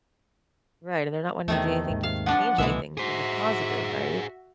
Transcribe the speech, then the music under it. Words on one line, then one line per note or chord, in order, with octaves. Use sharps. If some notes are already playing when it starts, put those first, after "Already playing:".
Right, and they're not wanting to do anything to t change anything for the positive, right?
E2 C3 D#3 A3
D#2 G#2
F5
F3 D4 F#5
C2 B2 E3 G#3 A3 E5
F#4 G#4 C5 E5